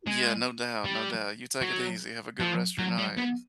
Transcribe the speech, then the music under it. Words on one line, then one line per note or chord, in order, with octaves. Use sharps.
Yeah, no doubt, no doubt. You take it easy. Have a good rest of your night.
G#3
G3
F#3
F3
F#3
G3
B3